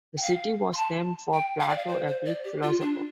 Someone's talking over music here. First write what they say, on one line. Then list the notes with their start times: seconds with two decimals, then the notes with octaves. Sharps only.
The city was named for Plato, a Greek philosopher.
0.17 G5
0.22 F5
0.73 C6
0.77 A5
1.33 G5
1.60 F5
1.69 D5
1.78 F5
1.88 C5
2.08 C5
2.26 D5
2.45 G4
2.63 F4
2.81 D4